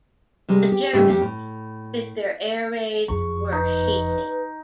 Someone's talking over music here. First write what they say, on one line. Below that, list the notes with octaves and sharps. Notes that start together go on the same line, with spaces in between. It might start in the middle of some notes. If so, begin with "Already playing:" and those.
The Germans, with their air raids, were hated.
C3 G3 G#3
G4
G#2 C#3 G3 A3 G4
F2 G4 G5
A2
F#1 F2 G#4 C#6
D#4 B4